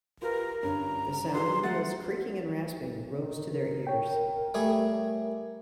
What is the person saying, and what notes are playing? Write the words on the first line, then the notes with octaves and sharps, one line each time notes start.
The sound of wheels creaking and rasping rose to their ears.
F4 G4 A#4 B4
G2 D3 C#4 A#5
F4 G#4 B4 C6
A3 F#5 A6
D#3
A#4
C#5 G5
G3 A3 G#4